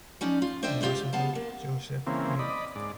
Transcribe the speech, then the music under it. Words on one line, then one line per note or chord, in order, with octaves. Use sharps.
Ambassador Joseph Grew.
F3 C#4 D#4 D5
F4
D4 C5 D#5 E5 G5
G#3 C4 C#4 F4 G4
B3 F5 A5
A#3
C#3 E3 A#3 C4
D5 D#5 B5
G#2 D5